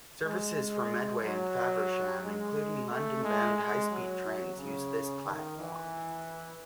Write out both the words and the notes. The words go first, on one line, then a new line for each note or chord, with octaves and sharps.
Services from Medway and Faversham, including London bound high speed trains use this platform.
G#3
G#3
F#3
G#3
A3
G#3
G#3
F#3
C#3
D#3
E3